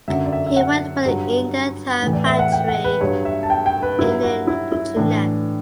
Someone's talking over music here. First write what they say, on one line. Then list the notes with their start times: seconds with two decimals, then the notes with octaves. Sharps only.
He worked for the India Tyre factory in Inchinnan.
0.08 F#2 D3 F#3 E5
0.25 D5
0.32 E5
0.46 E5
0.56 F#5
1.05 G2 F#3
2.03 A2 E3
2.13 D5
2.26 E5
2.39 F#5
2.52 G5
2.68 F#5
2.84 B4
3.01 G2 F#3 C#5
3.25 E5
3.43 A5
3.50 G5
3.66 G5
3.83 B4
3.98 G2 F#3 E4
4.23 F#4
4.47 E4
4.72 E4
4.96 A2 E3 D4